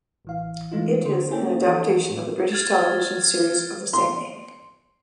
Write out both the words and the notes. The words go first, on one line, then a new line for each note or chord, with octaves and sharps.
It is an adaptation of the British television series of the same name.
A1 E3 F5
E3 G#3 A3 D#4 F4
D3 C5
A#3 C#4 E4 G#4 A4 G5
E3 F3 D#4 A4 C#5
A2
F6 G#6 A6
C6